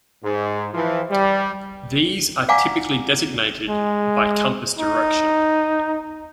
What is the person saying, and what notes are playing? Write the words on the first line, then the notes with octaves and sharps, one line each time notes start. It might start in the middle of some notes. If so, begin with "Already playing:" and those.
These are typically designated by compass direction.
G#2
E3 F3
G3
D5 F5 F#5 G#5 A#5 D6
G#3
D#4